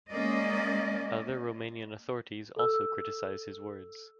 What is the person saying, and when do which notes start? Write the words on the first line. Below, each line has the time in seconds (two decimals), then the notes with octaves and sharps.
Other Romanian authorities also criticized his words.
0.10 G#3 A#3 C#4 D5 D#5
2.56 A4 E6